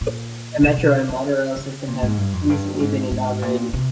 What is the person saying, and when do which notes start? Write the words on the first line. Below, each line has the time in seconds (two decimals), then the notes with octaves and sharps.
A metro and a monorail system have recently been inaugurated.
0.01 A#2
0.63 C3
0.78 C3
1.09 F3
1.56 C#3
1.88 A#2
2.03 G#2
2.18 G2
2.33 F2
2.49 G2
2.80 G#2
3.11 G#2
3.42 A#2
3.73 C3